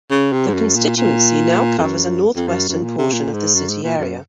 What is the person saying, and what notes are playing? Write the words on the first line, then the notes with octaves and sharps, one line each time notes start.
The constituency now covers a north western portion of the city area.
C#3
C3
G#2
F#2
A#2
A#2
F2
F#2
F2
F#2
F#2
A#2
C3
A#2
G#2
F#2
G#2
A#2
F#2